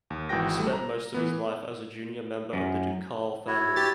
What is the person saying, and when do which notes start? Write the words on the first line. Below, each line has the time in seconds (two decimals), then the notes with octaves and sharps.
He spent most of his life as a junior member of the ducal family.
0.10 D#2
0.29 G#1 E3 G#3 F#4 G5 A#6
0.58 G3 A3
0.73 A#5
1.14 E3 B3
2.53 F#2
3.47 E4 F#4 C#5
3.76 G4 A6